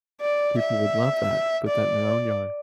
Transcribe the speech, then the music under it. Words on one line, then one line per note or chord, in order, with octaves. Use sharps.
People would love that, put that in their own yard.
D5
E5
D5